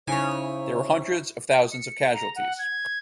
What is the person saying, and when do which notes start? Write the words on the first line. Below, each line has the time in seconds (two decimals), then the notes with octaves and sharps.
There were hundreds of thousands of casualties.
0.08 C#3 D#4 E4 C5 C#5 G#5
1.72 C#7
2.13 A#5
2.36 F#5
2.59 G#6